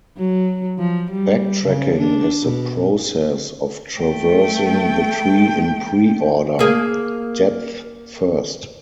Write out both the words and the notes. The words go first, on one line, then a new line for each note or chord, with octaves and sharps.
Backtracking is the process of traversing the tree in preorder, depth first.
F#3
F3
G3
C#3
D4
B2
A3 G5
A#3 G#4